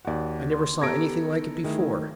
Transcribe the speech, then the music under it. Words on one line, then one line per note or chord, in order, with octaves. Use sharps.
I never saw anything like it before.
D#2 F#4 D5 F#5
C6
B3 G4 A4 A#5 G#6 A#6 D7
D#4
D#3 A3 E4 G#4